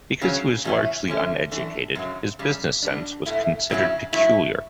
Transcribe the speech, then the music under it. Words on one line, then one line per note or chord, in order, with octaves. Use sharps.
Because he was largely uneducated, his business sense was considered peculiar.
C#3 F#3 C#4
E2 B2 F#3 C#4 E4
D3 A3 C#4
F#2 E3 A3 D4
F#2 C#3 F#3
F#2 C#3 G3
B2 G3 D4
B2 A3 E4
C#3 F#3 C#4 E4
G2 F#3 A3 E4